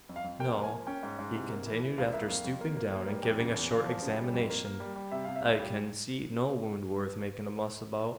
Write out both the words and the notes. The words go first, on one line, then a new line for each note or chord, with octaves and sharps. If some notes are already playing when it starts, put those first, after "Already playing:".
No," he continued, after stooping down and giving a short examination, "I kin see no wound worth makin' a muss about.
F2
F5
F2
A#3 G5
F3
G#5
A#3
C#4 G5
G#2
G#2
C3
A#3
E3
E3
C#2 F5
A#3 E5
F2 F5
F2
A#3
A#3
A#3
G3
E2 G5
C#3
E2
E2 F5
F3
C#3
G3
F2
A#3
A#3
G3
G3
C3 E5
C3 F5
E5
C#2
G3